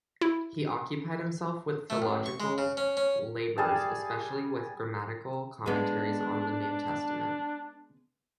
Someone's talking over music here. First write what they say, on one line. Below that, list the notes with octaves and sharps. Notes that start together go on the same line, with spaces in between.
He occupied himself with philological labors, especially with grammatical commentaries on the New Testament.
E4
A3
A1
C#6
G#3
C#3
C#4
C#4
G3 G#4 A5
G#3 B3 D4